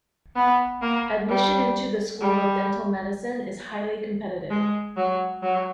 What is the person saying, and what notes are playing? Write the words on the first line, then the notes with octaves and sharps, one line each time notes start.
Admission into the School of Dental Medicine is highly competitive.
B3
A#3
G3
G3
G#3
F#3
F#3